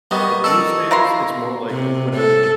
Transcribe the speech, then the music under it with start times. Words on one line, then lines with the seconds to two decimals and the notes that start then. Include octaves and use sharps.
But these days it's more like w when I'm
0.11 G3 A#3 B3 D#5 C#6
0.44 A4 A#4 D5 E6
0.91 A#3 E4 A#5 C6
1.70 C3
2.15 A4